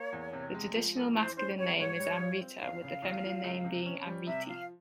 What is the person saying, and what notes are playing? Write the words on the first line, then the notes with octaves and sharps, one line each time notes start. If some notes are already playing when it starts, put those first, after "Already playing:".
The traditional masculine name is Amritha with the feminine name being Amrithi.
Already playing: A#3 C#5
E2
C3
G#3
F3
F2 A#4
E3 C5
C#4 C5
G3 C#5
G#2 C#5
G3
F4
C4
E5
E2 F5
C#3
E2
F3
C#2
C3
C#4
G3
C3 E5
F3 F5